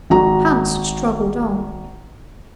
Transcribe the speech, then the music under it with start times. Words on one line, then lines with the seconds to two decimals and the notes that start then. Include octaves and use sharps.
Hans struggled on.
0.10 G#1 F#4 A#5